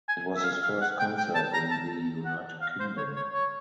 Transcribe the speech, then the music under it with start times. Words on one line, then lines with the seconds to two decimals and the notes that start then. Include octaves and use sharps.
It was his first concert in the United Kingdom.
0.09 G#5
0.36 E5
0.44 F5
0.63 F5
0.81 F#5
0.99 G5
1.17 G5
1.35 A5
1.53 A#5
1.71 A5
2.25 F#5
2.61 F5
2.80 C5
2.97 C#5
3.16 C#5
3.34 C#5